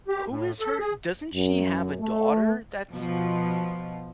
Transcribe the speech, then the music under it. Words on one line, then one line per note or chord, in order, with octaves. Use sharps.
who is her doesn't she have a daughter that's
G4
A2
A4
G#4
F#2
A3
B2 F3